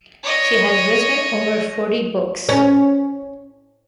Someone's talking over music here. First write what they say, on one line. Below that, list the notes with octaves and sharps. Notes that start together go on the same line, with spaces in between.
She has written over forty books.
C#5 D#5
C#4